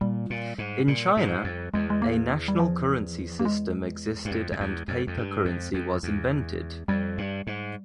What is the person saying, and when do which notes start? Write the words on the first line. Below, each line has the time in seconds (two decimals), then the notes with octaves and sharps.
In China, a national currency system existed and paper currency was invented.
0.01 A#2 G3
0.30 A#2
0.58 G#2
0.88 A#2
1.17 G#2
1.44 F2
1.74 E2 G#3
1.90 G#3
2.02 A#3
2.48 G3
2.59 F3
3.39 A#3
3.45 G#3
4.25 G2
4.31 F2
4.52 F2
4.60 E2
4.88 F2
5.07 F2
5.17 G2
5.45 F2
5.74 F2
6.03 E2
6.88 F2 G3
7.18 G2
7.47 G#2